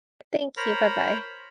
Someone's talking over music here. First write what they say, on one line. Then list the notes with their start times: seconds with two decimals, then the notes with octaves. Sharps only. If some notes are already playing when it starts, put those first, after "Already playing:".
thank you, bye-bye.
0.57 A#4 C5 C#5 A#5 B5